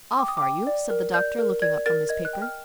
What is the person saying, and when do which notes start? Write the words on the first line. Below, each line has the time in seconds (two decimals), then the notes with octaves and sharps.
"Off, are you?" said the doctor, looking up from his paper.
0.18 G5 D6
0.28 D#6
0.37 D6
0.42 G5
0.67 D5
0.90 A#4
1.14 D5 G6
1.39 A#4
1.62 D5 G#6
1.86 A#4 A6
2.09 D#5 G#6
2.25 F#6
2.33 G5
2.42 F6